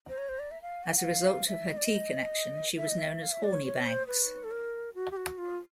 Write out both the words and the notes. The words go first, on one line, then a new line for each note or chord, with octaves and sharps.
As a result of her tea connection, she was known as "Hornibags".
C5
C#5
C5
D5
E5
F5
F#5
F5
F#5
F5
E5
D#5
D5
D#5
E5
D#5
E5
F5
E5
D5
C#5
C#5
C5
B4
A4
A#4
F#4
G4
F#4
F4